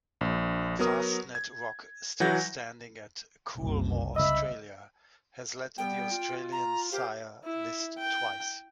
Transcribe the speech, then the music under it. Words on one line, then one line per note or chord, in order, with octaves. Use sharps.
Fastnet Rock, still standing at Coolmore Australia, has led the Australian sire list twice.
A#1
F#3 B3 A#4 D#6
G#6
E3 F#3 F#5 G6 A#6
F#1 C2 F#2
C#2 D#5 E5 B5 E6
G3 B3 G5
F4
A#5
A#3 G4 C5 F5
E4
G5